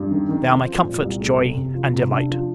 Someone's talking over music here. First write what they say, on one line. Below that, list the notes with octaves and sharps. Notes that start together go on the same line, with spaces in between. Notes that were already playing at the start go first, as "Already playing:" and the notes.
They are my comfort, joy, and delight.
Already playing: G2
D#3
D#3
C4
F3
A#2
C2
A3
C3
C3
F3
C3
D4
F3